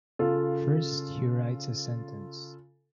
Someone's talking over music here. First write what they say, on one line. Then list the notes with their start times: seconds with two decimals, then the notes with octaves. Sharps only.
First he writes a sentence.
0.19 C#3 F4 A4